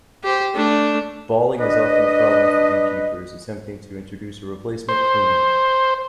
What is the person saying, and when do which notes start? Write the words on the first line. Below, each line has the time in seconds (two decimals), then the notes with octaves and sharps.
Balling is often a problem for beekeepers attempting to introduce a replacement queen.
0.24 G4 C5
0.55 A3 D4
1.59 D4 B4 D#5
4.89 C5